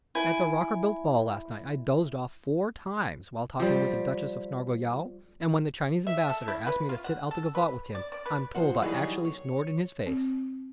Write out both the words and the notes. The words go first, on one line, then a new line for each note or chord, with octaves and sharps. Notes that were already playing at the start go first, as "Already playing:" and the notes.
At the Rockerbilt ball last night I dozed off four times while talking with the Duchess of Snarleyow, and when the Chinese Ambassador asked me to sit out the gavotte with him I'm told I actually snored in his face.
E4 G#5
F3 G3
E5
A4
E4
B4
F4
F#5
A4
B4
D5
D5
B4
F3 C5 F#5
E3 F#3 G3 D#4 G#4
C#5
C4